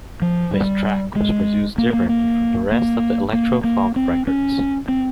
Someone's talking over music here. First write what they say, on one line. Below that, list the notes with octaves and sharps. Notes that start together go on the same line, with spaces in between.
This track was produced differently from the rest of the electro-funk records.
F3
G3
G#3
A#3
A#3
A#3
A#3
A#3
A#3
C4
C#4
C4